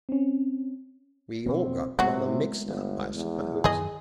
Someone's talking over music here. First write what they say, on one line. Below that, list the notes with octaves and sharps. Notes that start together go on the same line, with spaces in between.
We all got rather mixed up, I suppose.
C4 C#4
B2 A#3 C4
C3 F#3 G#3 A3 B3 F#4
G1
E2
F#2 D#3 G#4 D#5